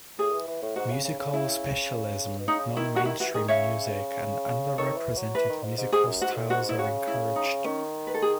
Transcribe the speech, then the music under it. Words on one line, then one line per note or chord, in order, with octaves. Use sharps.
Musical specialism, non-mainstream music and under-represented musical styles are encouraged.
A2 G#4
E3
E3
A2
G#2 F#4
C#3
C#3
C#3
E4
B2
C#3 D#4
D#3 E4
F#4
D#3 E4
E3 F#4
D#3 G#4
C#3 C#5 E5
D#3 A4 C#5
E3
F#3
E3 B4
D#3
G#2
G#2
G#2 G#4
F#2
G#2 F#4
A2
G#2 F#4
E4
C#3 F#4
E4
D#4
D#3 C#4
B4
A4
G#4